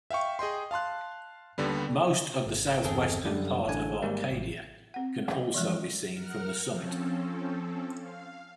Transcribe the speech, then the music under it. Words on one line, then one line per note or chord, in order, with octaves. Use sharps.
Most of the southwestern part of Arcadia can also be seen from the summit.
E5 F5 G5 C#6
G#4 D#5 G5 C6
F5 A5 C6 F#6
D#2 D3 G3 B3
G#1
G1 E2 C4 G#4 A4
F#2 D3 G3
A1 A2 D3 A4 G#5
G#2 D#3 G3 A#3
A1
C4 F#5
E3 F3 G#3
A#4 F#5 F6
F3 C4 C#4 A4
F5